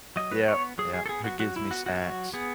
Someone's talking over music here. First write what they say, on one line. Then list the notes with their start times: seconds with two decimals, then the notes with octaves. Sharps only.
Yep. Yep. "Who gives me snacks,"
0.16 F#3 D#5
0.32 B4
0.47 B3 C#5
0.78 F#3 G#4
0.94 G#4
1.06 A4
1.09 B3 G#4
1.24 F#4
1.40 F#3 F#4
1.56 E4
1.71 B3 F#4
1.86 F#4
2.02 F#3 F#4
2.34 B3 G#4